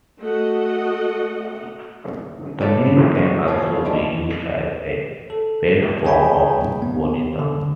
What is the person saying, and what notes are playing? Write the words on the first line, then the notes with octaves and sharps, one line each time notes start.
The name can also be used as a pet form of Bonita.
A3 F#4 D#5 F#5
A2 E4 A4 D5
F#4 D#5
C#3 F3 C#4 F4
B2 D3 E3 G3
A4
G#4 C#5 G5 G#5 B5
B3
D3